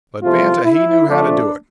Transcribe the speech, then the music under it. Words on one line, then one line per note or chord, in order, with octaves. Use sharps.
But Banta he knew how to do it.
E2 C3 F3 A3 F4
E4
F2 D3 F3 A3 D4